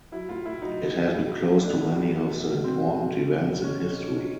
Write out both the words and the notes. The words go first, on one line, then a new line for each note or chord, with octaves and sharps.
It has been close to many of the important events in history.
F#3 E4
A2 F4
A2 E4
F#3 D#4
F#3
A2
A2
F#3
F#3
A2 D4
A2
F#3
F#3
B2
B2
F#3 C4
F#3
B2
B2
F#3
F#3
B2 C#4
B2
F#3
D#3